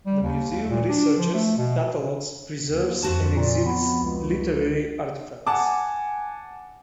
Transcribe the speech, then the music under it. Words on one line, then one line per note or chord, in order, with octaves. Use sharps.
The museum researches, catalogs, preserves, and exhibits literary artifacts.
G3
D#2
D#2
A#2
D4
F3
A3
B2
D#2
F2 F#4 A5
A#2
B3
C#2
F#5 G#5 A5 D6